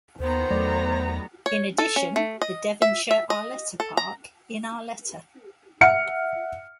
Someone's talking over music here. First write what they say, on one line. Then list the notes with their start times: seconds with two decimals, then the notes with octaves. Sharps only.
In addition the Devonshire Arleta Park in Arleta.
0.20 D#2 D#3 B3 C5 A#5
0.51 E2 F#3 A3 D5
1.46 C#5
1.78 A4
1.96 C#4
2.16 A3
2.42 D#5
2.82 E5
3.11 E5
3.30 D#5
3.80 A4
3.97 A#5
5.81 E5 F#5 F6 C#7